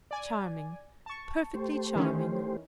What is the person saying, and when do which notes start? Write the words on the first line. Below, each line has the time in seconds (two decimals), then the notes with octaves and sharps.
Charming; perfectly charming.
0.11 D5 G#5
1.06 A5 C#6
1.54 A3 G4 C5
1.96 D#3 E3 C#4